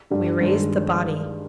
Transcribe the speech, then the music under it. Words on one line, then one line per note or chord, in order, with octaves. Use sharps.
We raised the body.
G2 D3 G3
G2 D#3 G#3